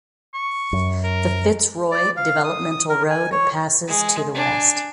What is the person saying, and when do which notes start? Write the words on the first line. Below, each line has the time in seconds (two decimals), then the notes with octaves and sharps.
The Fitzroy Developmental Road passes to the west.
0.34 C#6
0.73 F#2
1.04 A#4
1.92 D5
2.17 F5
2.44 D#6
2.71 D#6
2.90 A#4
3.10 G#5
3.32 C#5
3.87 G#3
4.35 D4 G#5